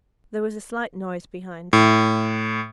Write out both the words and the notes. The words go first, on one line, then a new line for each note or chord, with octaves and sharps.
There was a slight noise behind her.
A2